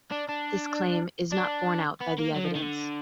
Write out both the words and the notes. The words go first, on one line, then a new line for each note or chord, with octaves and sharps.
This claim is not borne out by the evidence.
D4
D4
D4
B3
A#3
F#3
F3
D#3
D3